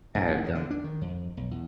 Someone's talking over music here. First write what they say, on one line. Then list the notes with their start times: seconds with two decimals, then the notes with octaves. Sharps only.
And, um
0.15 F1
0.27 A1
0.44 G#2
0.55 D3
0.70 D4
0.84 D#3
1.01 F2
1.37 B1
1.51 E2